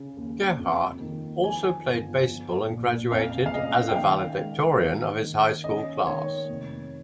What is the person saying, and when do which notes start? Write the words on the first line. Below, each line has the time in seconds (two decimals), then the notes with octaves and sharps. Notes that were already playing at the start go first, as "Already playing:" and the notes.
Gerhart also played baseball and graduated as a valedictorian of his high school class.
Already playing: C#3
0.17 D#2
0.59 F2
1.01 D#3
1.43 F3 G#5
1.86 G1
2.28 F3
2.70 A#1
3.11 F2 F5
3.46 F5
3.54 C#3 D#5
3.88 G5
3.96 D#3 F5
4.38 G#3
4.81 D#3
5.22 D#3
5.64 C#4 D#5
6.07 D#3 C#5
6.49 F1